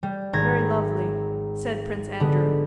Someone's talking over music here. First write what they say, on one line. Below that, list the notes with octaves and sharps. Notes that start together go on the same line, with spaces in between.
"Very lovely," said Prince Andrew.
G3
G#1 A#5 G#6 A#6
D3 G#3 B3